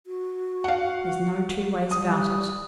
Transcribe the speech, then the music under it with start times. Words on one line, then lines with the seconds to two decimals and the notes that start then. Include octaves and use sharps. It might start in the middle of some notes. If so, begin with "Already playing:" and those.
There's no two ways about it.'
0.07 F#4
0.64 F5 F#5
1.91 G3 D#6